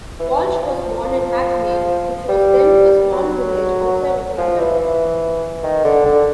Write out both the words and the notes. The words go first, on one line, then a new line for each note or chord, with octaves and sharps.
Walsh was born in Hackney, which was then a small village outside of London.
E3
F3
F3
G3
F#3
F3
E3
E3
D#3
D3
D3